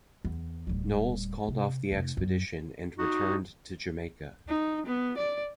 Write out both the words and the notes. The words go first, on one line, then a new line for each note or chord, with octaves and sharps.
Knowles called off the expedition and returned to Jamaica.
E2
D1 G3
C3
F1
F#2
D#4 F#4
D#4
B3
D5